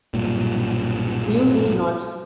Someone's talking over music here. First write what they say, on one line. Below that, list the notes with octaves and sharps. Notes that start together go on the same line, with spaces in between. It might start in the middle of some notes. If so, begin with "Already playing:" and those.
You need not.
B1 G2 A#2